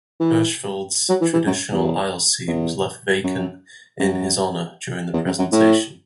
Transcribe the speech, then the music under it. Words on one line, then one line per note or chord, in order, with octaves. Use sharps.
Hirschfeld's traditional aisle seat was left vacant in his honor during the presentation.
E3
F#3
E3
E3
F#2
E2
E2
F#2
F#2
E2
F#2
F#2
A2